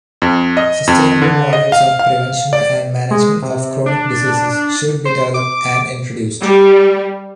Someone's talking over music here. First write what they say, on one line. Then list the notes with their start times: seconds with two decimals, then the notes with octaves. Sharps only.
Sustainable models of prevention and management of chronic diseases should be developed and introduced.
0.22 F2
0.57 D#5
0.87 F2
1.22 D3
1.53 D#5
1.72 F5
1.99 F5
2.53 D5
3.11 G#3
3.42 C3
3.86 D4
5.05 C5
5.34 D6
6.41 G3